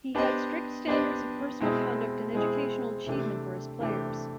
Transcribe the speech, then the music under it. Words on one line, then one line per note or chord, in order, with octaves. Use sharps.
He had strict standards of personal conduct and educational achievement for his players.
B3 D4 G4 C5 D#5
B3 D4 G4 C5 D#5
B2 G#3 C4 E4 G#4
B2 G#3 C4 E4 G#4
C3 E3 A3 D4 G4
C3 E3 A3 D4 G4